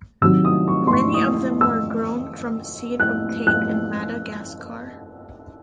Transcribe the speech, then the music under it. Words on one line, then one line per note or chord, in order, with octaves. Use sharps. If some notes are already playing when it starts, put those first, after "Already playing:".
Many of them were grown from seed obtained in Madagascar.
C3 D#3 F#3 E6
D#6
C#6
C6
C#6
D#6
E6
F#6
F#6